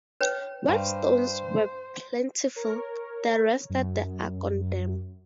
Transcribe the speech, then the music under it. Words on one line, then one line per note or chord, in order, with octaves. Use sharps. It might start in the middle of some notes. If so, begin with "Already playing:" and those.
When stones were plentiful, they rested the ark on them.
B4 C#5 G5
G2 C5
A#4 C#5
F#2